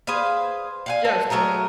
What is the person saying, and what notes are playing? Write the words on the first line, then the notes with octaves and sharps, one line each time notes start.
Yeah, so
G#4 B4 C5 F5
F5 F#5 G#5
A4
F#3 A3 G#4 A#4